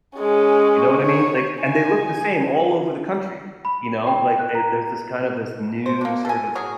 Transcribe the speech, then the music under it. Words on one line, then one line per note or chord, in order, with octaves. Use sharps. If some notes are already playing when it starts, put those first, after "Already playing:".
You know what I mean? Like, and they look the same all over the country. You know? Like, they there's this kind of this new sort of
G#3 C#4
C#5
G#5
B5
G5
F#6
A#5
C5
A#3 D4
A4 G#5
F#3 G#4 A#4